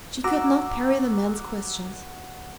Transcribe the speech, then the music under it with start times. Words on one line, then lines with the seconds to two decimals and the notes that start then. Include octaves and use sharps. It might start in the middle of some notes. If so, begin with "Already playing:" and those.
She could not parry the man's questions.
0.24 F#4 A#5 D6 E6